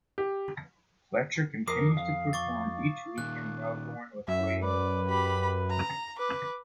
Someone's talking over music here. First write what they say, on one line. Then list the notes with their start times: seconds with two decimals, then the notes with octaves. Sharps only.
Fletcher continues to perform each week in Melbourne with Waiting Room.
0.18 G4
1.68 F2 A#4 D6 D#6 C7
1.97 F5
2.33 C#6 D6 A6
3.18 A#2 D#3 F#6
4.28 F#2 E5
4.63 B4 D5
5.08 G4 B5
5.70 A#5
6.18 B4 D6